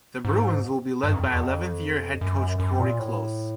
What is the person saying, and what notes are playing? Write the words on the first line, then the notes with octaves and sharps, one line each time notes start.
The Bruins will be led by eleventh year head coach Cori Close.
G#2
G2
F2
F2
E2
F2
F#2
F#2
A#2
A2